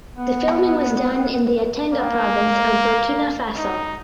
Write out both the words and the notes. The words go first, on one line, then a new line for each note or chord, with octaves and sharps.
The filming was done in the Yatenga Province of Burkina Faso.
B3
A#3
D#4